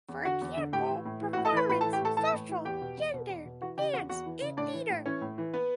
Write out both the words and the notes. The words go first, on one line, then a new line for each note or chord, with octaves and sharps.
For example: performance, social, gender, dance, and theater.
E2
D3 F#4 F#5
E2
D3
A2 G4 G5
E3
A2
E3
F#4 F#5
A2
A4 A5
E3 B4 B5
A2 B4 B5
A4 A5
E3
G4 G5
A2 A4 A5
E3 A4 A5
A2
E3
E2 G4 G5
B2
E2
B2
E2
B2
E3 F#4 F#5
C#3 G4 G5
E2 F#4 F#5
E2 F#4 F#5
E3
C#3
A2 D4 D5
E3
A2
E3 C#4 C#5
A2
E3
B3 B4